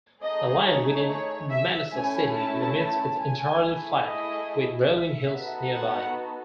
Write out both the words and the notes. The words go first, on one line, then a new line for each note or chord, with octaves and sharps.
The land within Manassa city limits is entirely flat, with rolling hills nearby.
A3 D#4 G#4 D#5
C#5
C#5
E5
A3 C#4 E4 G#5
A5
A5
G#5
A3 E4 G#4
D#5
E5
B3 D#4 F#4 A4
F#5